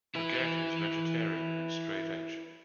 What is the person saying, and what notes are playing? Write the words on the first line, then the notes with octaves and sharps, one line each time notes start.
Puget is vegetarian and straight edge.
E4 B4